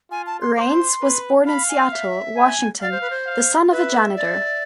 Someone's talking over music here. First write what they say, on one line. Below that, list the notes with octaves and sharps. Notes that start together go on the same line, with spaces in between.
Raines was born in Seattle, Washington, the son of a janitor.
F4 G#5
A5
C6
C5 C6 D6
B4
F5 B5
G#5
E5
G#5
D5 F5
C5
B4
C5
F5
B4 E5
D5